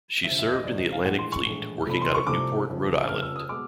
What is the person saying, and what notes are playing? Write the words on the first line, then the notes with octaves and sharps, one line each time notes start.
She served in the Atlantic Fleet working out of Newport, Rhode Island.
E1 D2 C3 F3 E5
E5
D#5
E1 D2 C3 F3 D5
D#5
F5
A#1 A2 E3 G#3 F#5
C6
C#6
A#1 A2 E3 G#3
C2 C3 F3 A3 B5
C6
C#6
C2 C3 F3 A3 D6
F1 F2 C#3 F3
F1 F2 C#3 F3 F6
E6
D#6
B2 G#3 D6